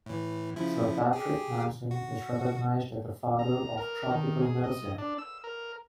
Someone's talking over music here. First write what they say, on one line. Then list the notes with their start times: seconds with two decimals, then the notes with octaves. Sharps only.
Sir Patrick Manson is recognised as the Father of Tropical Medicine.
0.06 A2 E3
0.56 C#3 F3 E4
1.13 G4 G#4
1.91 F#4
3.39 A#5
3.77 A#4
4.10 D#3
4.42 G#4
4.63 D#5
4.98 D4
5.18 E6
5.44 A#4